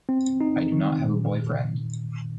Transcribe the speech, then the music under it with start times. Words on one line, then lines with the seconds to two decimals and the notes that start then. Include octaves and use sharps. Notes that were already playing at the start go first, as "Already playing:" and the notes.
I do not have a boyfriend.
0.09 C4
0.41 D#4
0.72 D#3
1.03 A#2